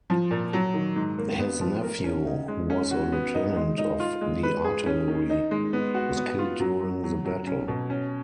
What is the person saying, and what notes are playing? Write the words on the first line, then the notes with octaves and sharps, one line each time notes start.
His nephew, who was a Lieutenant of the artillery, was killed during the battle.
F3
A#2
F#3
D#3
G#2
A#3
B3
F3
A#4
C#4
D#4
G#3
C#4
F#4
B3
D#4
G#3
D#4
F4
G#3
B4
G#4
C#4
D#3
D#4
G#3
B3
F#4
B3
F4
F#3
F#3
F#3
F#3
C#4
B2
C#4